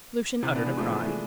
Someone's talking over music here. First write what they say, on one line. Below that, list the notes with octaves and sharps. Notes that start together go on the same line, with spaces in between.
Lucian uttered a cry.
C3 E3
B3 D4
E3 G#3
F3 A3
E3 G#3
A3
E3 G#3